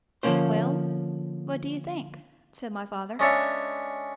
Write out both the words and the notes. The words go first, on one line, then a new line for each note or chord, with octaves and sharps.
"Well, what do you think?" said my father.
D3 F3 F#3 A#3 C#4 C5
G#3 C#4 D4 C#5 E5